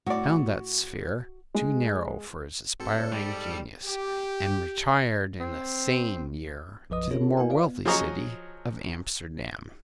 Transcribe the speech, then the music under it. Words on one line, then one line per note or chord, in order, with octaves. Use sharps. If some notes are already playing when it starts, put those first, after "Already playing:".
He found that sphere too narrow for his aspiring genius, and retired in the same year to the more wealthy city of Amsterdam.
A2 F#4 D5
G#3
G#2 C4 F#4 A4 C#7
C5 D5
G3
G4
C4
B1 F#2 F3 B4 D#5 D#6
C#4 F4 G#4 A#4 C#5
A#3 E4 A#4 F5 G#5
F4 B4 D5 D#5 F5
B3
F3 F#3 G#4 D#5 A#5 C#6